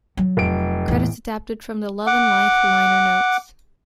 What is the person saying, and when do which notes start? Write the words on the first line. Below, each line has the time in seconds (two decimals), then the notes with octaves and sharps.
Credits adapted from the "Love and Life" liner notes.
0.17 F#3
0.37 F1 D7
0.88 E2 A2
2.07 F#5 D6